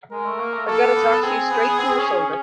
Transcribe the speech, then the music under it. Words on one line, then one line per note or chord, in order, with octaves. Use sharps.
I've got to talk to you straight from the shoulder.
G#3 A#4
A3
A#3
A3
A#3 A4
B3
C4 G#4
B3
C4
C#4
C#4